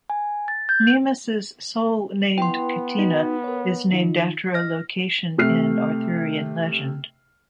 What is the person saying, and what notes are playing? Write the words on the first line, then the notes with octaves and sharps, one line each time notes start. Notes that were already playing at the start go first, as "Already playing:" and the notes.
Mimas's sole named catena is named after a location in Arthurian legend.
G#5
A6
G6
B3 E4 B4 G5 C6
D#4 F#4
A#4 C#5
D#3 D#4 F4
D#5 F6 A#6
C3 A3 F6 C7